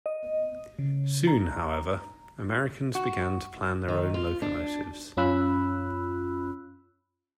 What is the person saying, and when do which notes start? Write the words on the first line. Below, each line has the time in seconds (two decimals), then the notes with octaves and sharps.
Soon, however, Americans began to plan their own locomotives.
0.06 D#5
0.79 C#3
1.27 A#5
2.95 F#4
3.88 D#3
4.14 F4
4.42 D4
5.17 F#2 C#4 F4 B5 E6 F#6